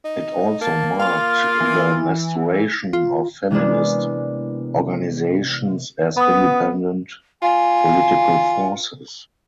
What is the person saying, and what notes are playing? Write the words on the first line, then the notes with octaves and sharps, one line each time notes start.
It also marked the maturation of feminist organizations as independent political forces.
D#4
A#3 A5
F4 F5
E3
F4
C3 E3 G#3 A#3 B3 D4
B3 B5 D#6
F4 G#5